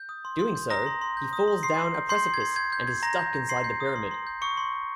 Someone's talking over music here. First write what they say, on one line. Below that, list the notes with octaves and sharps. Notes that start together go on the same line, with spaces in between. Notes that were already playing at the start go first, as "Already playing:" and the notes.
Doing so, he falls down a precipice and is stuck inside the pyramid.
Already playing: G6
D#6
C6
C6
G6
A#5 D#6 A#6
C6
C6
G6
D#6
C6
C6 C7
C6
G6
C6 G6 C7
C6
G#6
C6
G6 G#6
G6
C6 G#6
A#5 C6 A#6
G6
G6
C6 C7
G6
D#6
C6
C6
G6
C#6 D#6 C#7
C6
C6